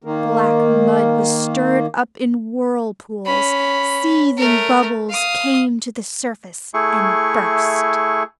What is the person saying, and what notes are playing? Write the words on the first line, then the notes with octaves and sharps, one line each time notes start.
Black mud was stirred up in whirlpools; seething bubbles came to the surface and burst.
D#3 A#3
C#4 B5
A3 A#4
F5 D#6
A3 E4 G#4 C#6